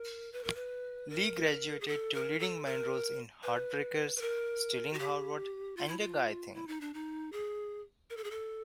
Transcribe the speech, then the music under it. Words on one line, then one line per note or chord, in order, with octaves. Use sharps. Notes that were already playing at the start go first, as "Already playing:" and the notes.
Lee graduated to leading man roles in "Heartbreakers", "Stealing Harvard", and "A Guy Thing".
Already playing: A#4
B4
A#4
B4
A#4
G#4
A4
A#4
A4
A#4
B4
B4
A#4
F#4
G4
F4
E4
F4
E4
D#4
D4
D#4
G#4
A#4
A4
G#4
A4